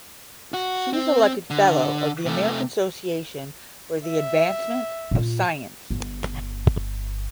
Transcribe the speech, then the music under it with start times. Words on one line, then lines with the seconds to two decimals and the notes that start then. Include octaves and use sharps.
She was elected Fellow of the American Association for the Advancement of Science.
0.54 F#4
0.93 C4
1.50 D3
2.26 C3 A3
4.05 E5
5.11 A#2 F4
5.90 G1